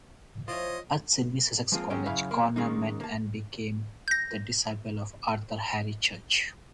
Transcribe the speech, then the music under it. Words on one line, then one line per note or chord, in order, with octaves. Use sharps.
At Sidney Sussex College, Corner met and became the disciple of Arthur Harry Church.
F3 E4 F4 C5 C#5 D#5
F3 G#3 A#3 C4 F4 A#4
F#3 G#3 C#4 F#4 G5
F#2 C#3 F#3 E4 F5 B5
E2 A#3
D#3 G#3 A#3 C#4 D#4
A#3 A5
G6 A#6